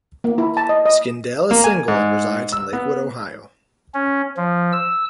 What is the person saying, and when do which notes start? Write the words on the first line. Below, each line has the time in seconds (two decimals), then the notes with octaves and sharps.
Skindell is single and resides in Lakewood, Ohio.
0.24 A#3
0.38 E4
0.57 A5
0.69 D#5
0.85 D#5
1.51 A#3
1.64 G#5
1.88 G#2
2.52 E6
2.73 B3
3.94 C#4
4.37 F3
4.73 E6